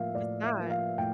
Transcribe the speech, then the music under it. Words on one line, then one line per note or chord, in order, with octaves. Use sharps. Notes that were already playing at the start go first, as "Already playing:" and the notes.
it's not.
Already playing: A2 F3 A#3 E5 F5
A2 D5
E5
F3 A#3
F5
A2 G5